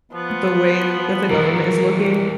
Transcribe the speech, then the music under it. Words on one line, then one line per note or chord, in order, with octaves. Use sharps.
the way that the government is looking,
F3 B3
E3 G#3 A#4